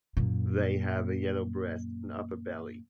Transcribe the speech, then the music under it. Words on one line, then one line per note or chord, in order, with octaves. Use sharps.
They have a yellow breast and upper belly.
F#2 A#2